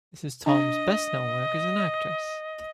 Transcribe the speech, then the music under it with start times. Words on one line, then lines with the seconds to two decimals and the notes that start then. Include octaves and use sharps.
This is Tom's best known work as an actress.
0.46 D4 D#5